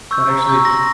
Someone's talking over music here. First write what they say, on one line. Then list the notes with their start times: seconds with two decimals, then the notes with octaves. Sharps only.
that actually
0.11 C#6 E6 G6
0.30 A#5
0.47 C#6 E6 G6
0.65 C6 A#6